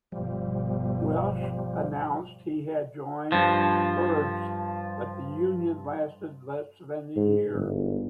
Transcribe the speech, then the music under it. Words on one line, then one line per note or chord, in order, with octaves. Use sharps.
Walsh announced he had joined Herbs, but the union lasted less than a year.
G1 B2 F3 G3
G2 F3
G#2
G1